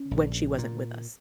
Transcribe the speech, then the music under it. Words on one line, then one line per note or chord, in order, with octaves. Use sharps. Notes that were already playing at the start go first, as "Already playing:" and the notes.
when she wasn't with us,
Already playing: C#4
A#1
A#2